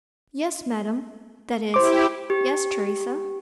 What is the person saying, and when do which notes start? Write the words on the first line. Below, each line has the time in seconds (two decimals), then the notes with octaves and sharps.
"Yes, madame ... that is--yes, Teresa."
1.74 E4 G4 C5 D6
2.30 G4